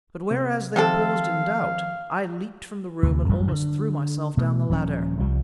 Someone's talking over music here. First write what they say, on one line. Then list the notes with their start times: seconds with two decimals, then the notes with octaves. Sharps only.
But whereas they paused in doubt, I leaped from the room and almost threw myself down the ladder.
0.31 C3
0.76 C3 D#3 F3 C4 A4 F5
3.03 D2 C3
3.29 A1 F#2 G3
3.52 D3
4.37 B2 A3
4.69 D#1 F3 C4 C#4
5.20 C2 F3 G3